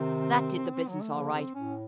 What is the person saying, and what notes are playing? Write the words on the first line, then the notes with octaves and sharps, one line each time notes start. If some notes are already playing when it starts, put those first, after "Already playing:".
That did the business, all right.
Already playing: C3 D#3 C4
F#3
A3
C#3 F3 A#3
C4
A2 C#4